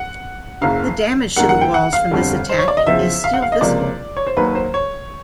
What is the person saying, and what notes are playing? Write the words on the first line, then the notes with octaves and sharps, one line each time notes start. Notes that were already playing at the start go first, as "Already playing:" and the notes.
The damage to the walls from this attack is still visible.
Already playing: F#5
F#1 F#2 C#3 F5
F#2 D#3 G3 A#3 F#5
F#5
G5
F#5
F5
G1 F2 D3 G3
C5
C#5
D5
D#5
E2 C#3 F3 E5
F5
F#5
F5
D#5
C#2 C3 F3 A#3 D5
C#5
C5
D#2 D#3 F#3 A#3 B4
C5
C#5